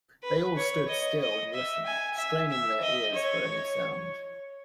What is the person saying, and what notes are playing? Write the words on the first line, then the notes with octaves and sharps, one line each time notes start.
They all stood still and listened, straining their ears for any sound.
B4
C#5
D#5
D#5
E5
G#5
E5
E5
D#5
C#5